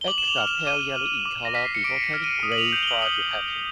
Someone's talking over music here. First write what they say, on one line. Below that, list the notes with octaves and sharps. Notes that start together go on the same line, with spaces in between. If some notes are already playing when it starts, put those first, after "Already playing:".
Eggs are pale yellow in colour, before turning grey prior to hatching.
G7
D6 F#7
E7
F7
F6
E7
D6 D#7
F6
D6
A#6
F6 B6
C7
C#7
D6 D7
C#7
F6
D#7
D#6
F#7
F7
G6 F7
G7
F#7
D#6 F#7
G6